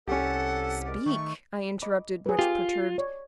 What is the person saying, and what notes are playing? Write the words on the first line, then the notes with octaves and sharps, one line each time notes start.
"Speak," I interrupted, much perturbed.
C2 C#4 G4 A4 F#5
G#3 A#4 D5
D#3 A3 C#6
D#5 B5 D6
G#4 B4
F4 G4 G#5
C#5 D5